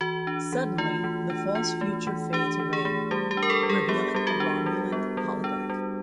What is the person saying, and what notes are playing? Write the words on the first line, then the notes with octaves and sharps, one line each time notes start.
Suddenly, the false future fades away, revealing a Romulan holodeck.
E3 F#4
D4
E3
A3 F4
E3
D4
E3 F4
A3
E3
D4 G4
E3
G#4
A3
G3 G4
G4
D4
A#4
A4
G3
G#4
B3 G4
G3 G4
F#4
D4
G3
B3
G3
D4
G3